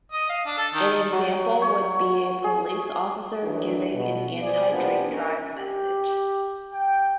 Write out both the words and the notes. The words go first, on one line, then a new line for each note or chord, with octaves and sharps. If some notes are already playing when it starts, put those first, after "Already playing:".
An example would be a police officer giving an anti-drink drive message.
D#5
F5
D4
A4
D#3
F#3
C#5
G#4
D#3 E3 F#3 A3 D4
B2
G#4 C5 D5
C3 F3 G#3 A#3 B3 D4
C#4 D#4 A#4
G4
G5